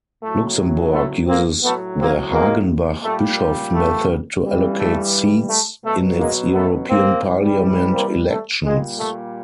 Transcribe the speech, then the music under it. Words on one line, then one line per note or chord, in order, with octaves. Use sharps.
Luxembourg uses the Hagenbach-Bischoff method to allocate seats in its European Parliament elections.
A2 F#3 A3
A3 B3
A#3 C4
A2 F#3 A3 B3
A#3 C4
G#3 A#3
A#2 G3 A3
A3
G2 E3 G3
A3
A3
B2 F#3 A3
G#3 A#3
A3 B3
A#3 C4
C3 E3 G3
A#3 C4
A3
A#2 G3 G#3
A3